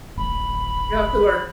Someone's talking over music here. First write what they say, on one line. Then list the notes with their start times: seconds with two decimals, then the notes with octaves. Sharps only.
You have to learn
0.17 D1 G#1 B5